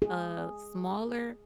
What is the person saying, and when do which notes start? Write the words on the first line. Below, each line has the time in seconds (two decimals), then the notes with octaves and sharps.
a smaller
0.02 G#4